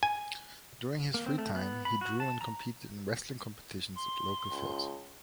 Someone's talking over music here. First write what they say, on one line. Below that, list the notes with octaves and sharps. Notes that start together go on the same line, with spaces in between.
During his free time he drew and competed in wrestling competitions at local fairs.
G#5
A#3
C4
A3
B3
B5
F#4
A5
A#5
C6
C#2